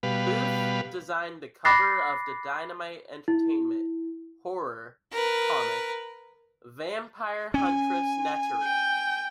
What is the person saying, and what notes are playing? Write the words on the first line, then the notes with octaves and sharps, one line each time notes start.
Booth designed the cover of the Dynamite Entertainment horror comic Vampire Huntress Neteru.
B2 G3 B4 F5
B5 D6 F#6 A6 A#6 C7
E4
A#4 B4
C#4 G#5
G5